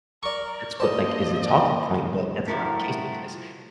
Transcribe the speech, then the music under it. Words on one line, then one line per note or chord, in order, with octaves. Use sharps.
that's what like is the talking point, but that's not the case because
A#4 D5 C#6
A#3 C5 D5 D#5 A5
G2 F3 A3 E4 F#4 A#4